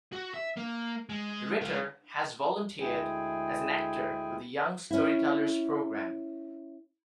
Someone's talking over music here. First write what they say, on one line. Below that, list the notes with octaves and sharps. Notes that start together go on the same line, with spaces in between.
Ritter has volunteered as an actor with the Young Storytellers Program.
F#4
E5
A#3
G#3
G#3 F4
D2 G#3 E4 G#4 G5 G#5
C#4 E4